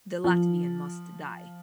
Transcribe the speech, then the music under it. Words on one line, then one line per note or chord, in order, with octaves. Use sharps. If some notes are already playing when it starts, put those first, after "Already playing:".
The Latvian must die.
F3